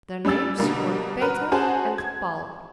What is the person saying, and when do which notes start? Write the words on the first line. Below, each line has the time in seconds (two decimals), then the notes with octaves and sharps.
Their names were Peter and Paul.
0.25 G3 C#4 D4 E6 A6
0.58 B2 D3 G3 A#3
1.21 F#4 A#4 B4
1.52 C#4 F#4 G#4 C5 A5
1.98 G#6